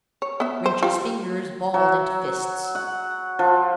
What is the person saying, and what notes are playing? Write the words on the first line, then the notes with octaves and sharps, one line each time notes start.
Rynch's fingers balled into fists.
C#5
B3 E5
C5
F4 G4
F#3
F#5
F3